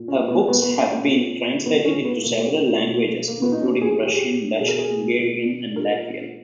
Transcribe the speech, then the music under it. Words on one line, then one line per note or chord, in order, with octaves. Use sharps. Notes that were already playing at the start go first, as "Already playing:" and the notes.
Her books have been translated into several languages, including Russian, Dutch, Hungarian and Latvian.
Already playing: A#2
C#4
B3
A#2 B3
B3
C#4
C#4
A#2
A#2 B3
C#4
B3
B2 A#3
B2
A#3
A#2 B3
D#4
C#4
G#4
A#2 G4
G#4
G4
B2 G#4
A#4
G#4
B2
A#2 A#4